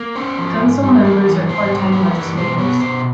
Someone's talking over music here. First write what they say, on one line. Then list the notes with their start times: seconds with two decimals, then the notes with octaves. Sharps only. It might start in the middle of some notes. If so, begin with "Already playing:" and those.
Council members are part-time legislators.
Already playing: A#3
0.16 C#4 C5
0.38 F3
0.60 G#2
0.83 G3
1.04 A#3
1.26 E3
1.49 G#2 C5
1.71 G3
1.92 A#3 B4
2.14 E3
2.37 B2 C5
2.58 B3 C#5
2.80 B2 C5